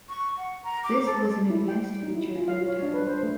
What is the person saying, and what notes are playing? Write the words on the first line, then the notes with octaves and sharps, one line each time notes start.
This was an advanced feature for the time.
C#6
F#5
A#5
D6
A4
E4
G5
D#4
E4
F4
F5
C#5
D4
B4
C5
A3